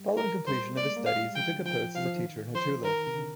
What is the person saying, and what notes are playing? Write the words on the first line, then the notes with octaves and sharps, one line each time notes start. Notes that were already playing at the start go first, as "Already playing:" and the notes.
Following completion of his studies he took a post as a teacher in Hattula.
Already playing: G3
A#4
G3 C5
A#3 D5
G#3
A#3
F5
G#3
G3
F3 G5
D3
F3 G5
F3 F5
F3
D#3
F3 C5
D#3 A#4
C3
D3